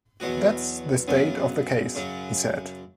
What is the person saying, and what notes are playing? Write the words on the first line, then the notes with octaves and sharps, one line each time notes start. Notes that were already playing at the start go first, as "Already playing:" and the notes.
"That's the state of the case," he said.
E2 B2 F#3 B3 F#4
F#2 C#3 F#3 B3
F#2 C#3 F#3